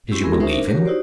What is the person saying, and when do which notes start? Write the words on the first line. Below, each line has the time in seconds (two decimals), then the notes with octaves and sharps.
"Did you believe him?"
0.11 C4 C#4 E4 G4
0.24 G#3 B3 E4 G#4 A#4
0.40 C#4 D#4 A#4 C5 E5
0.52 D4 A#4
0.68 F#4 G4 A#4 C#5
0.85 D#4 E4 F#4 G4 C5 D5